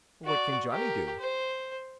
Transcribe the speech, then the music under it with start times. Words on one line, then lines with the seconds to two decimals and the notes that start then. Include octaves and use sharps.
"What can Johnny do?"
0.24 F#4 D5
0.71 G4 A#4
1.19 C5